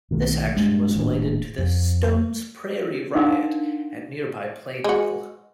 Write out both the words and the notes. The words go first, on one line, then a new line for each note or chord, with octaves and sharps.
This action was related to the "Stone's Prairie Riot" at nearby Plainville.
B1 D#3 A3
G2 G#3
D#1 D#2 A2 D4
F2
D4 D#4 A#4 F5 F#5 C6
G#3 F#4